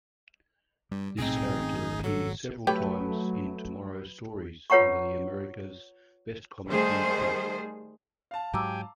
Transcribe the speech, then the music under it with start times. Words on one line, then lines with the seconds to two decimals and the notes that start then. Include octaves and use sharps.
This character appeared several times in "Tomorrow Stories" under the America's Best Comics imprint.
0.92 G2 G3
1.18 B1 A2 C3 C4 D#4 G#4
1.57 G#1 A3 C#4
2.04 F#3 A4
2.67 F#3 A3 G4 B4 C#5 G5
4.70 F4 B4 C#5 F#5 A#5 C#6
6.69 D#3 G3 A3 G#4 C5
8.31 F5 A5
8.54 G#2 F#3 G4 G5 G#5 A#5 D6 E6